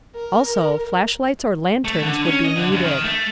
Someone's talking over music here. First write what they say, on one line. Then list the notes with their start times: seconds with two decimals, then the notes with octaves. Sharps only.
Also, flashlights or lanterns would be needed.
0.16 A#4
1.85 A3
2.03 D3
2.25 C#4
2.45 D#5
2.56 D3
2.72 F#2
2.85 D#3
3.04 A3